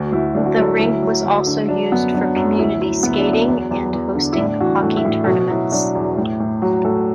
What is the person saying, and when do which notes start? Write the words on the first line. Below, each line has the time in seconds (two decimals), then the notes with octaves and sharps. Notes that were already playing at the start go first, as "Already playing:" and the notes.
The rink was also used for community skating and hosting hockey tournaments.
Already playing: D2 F#4
0.12 D2 E4
0.35 D2 D4
0.46 F#4
0.57 F#3 A4
0.68 F#4
0.79 D2 E4
1.02 F#3
1.24 D2
1.47 D3
1.69 F#3 D4
1.91 F#2 B3
2.15 F#3 D4
2.36 F#2
2.59 D2 E4
2.81 F#3 E4
3.03 D2 B3
3.14 E4
3.19 D4
3.26 F#3
3.33 B3
3.48 E2
3.71 E2
3.93 E2
4.15 D3
4.33 E4
4.37 A2 D4
4.61 E3 F#4
4.82 A2 A4
4.97 E4
5.05 A2 F#4
5.24 A4
5.27 B2 F#4
5.50 F#3 E4
5.72 F#3 D4
5.95 E2 E4
6.17 A2
6.40 A2
6.62 F#3 F#4
6.84 A2 A4